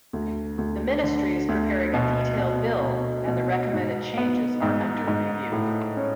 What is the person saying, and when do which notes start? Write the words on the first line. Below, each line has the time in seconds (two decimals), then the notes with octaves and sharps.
The ministry is preparing a detailed bill and the recommended changes are under review.
0.13 D2
0.58 D2
1.03 D3
1.49 D2
1.94 B2
2.38 B2
2.83 B2
3.27 B2
3.73 G#2
4.17 B3
4.62 G#2
5.07 G#2
5.52 A2
5.97 C#4